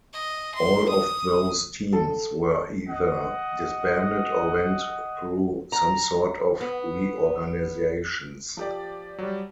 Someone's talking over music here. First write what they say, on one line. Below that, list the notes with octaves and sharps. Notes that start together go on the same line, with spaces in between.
All of those teams were either disbanded or went through some sort of reorganizations.
D#5
C6
D#6
A4
D#5 F#5
A#5
B3
F3 G4 D5
F#3 G3